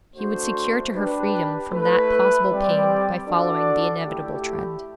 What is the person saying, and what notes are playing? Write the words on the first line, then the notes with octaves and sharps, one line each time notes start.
He would secure to her freedom from that possible pain by following the inevitable trend.
A3 D4 F#4 C5
D4 G4 B4
A3 E4 B4
G3 C4 G4 D5
D4 F#4 A4 D5
A3 E4 G4